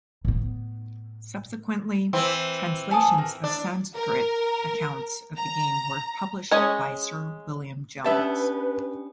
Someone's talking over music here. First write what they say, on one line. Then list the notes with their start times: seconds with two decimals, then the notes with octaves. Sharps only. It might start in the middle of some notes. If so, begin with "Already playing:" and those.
Subsequently, translations of Sanskrit accounts of the game were published by Sir William Jones.
0.25 A2 B3
2.13 E3 C4
2.91 G#5 A5 D#6
3.18 A#4
3.44 D4
3.95 A#4
5.38 A#5
6.51 G#3 C#4 C#5 D#5
8.04 B3 C#4 D4 G4 B4 E5 A5